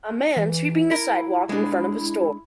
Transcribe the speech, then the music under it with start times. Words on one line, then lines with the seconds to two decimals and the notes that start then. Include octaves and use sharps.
A man sweeping the sidewalk in front of a store.
0.36 E3
0.91 E4 A#4
1.49 G#3 D4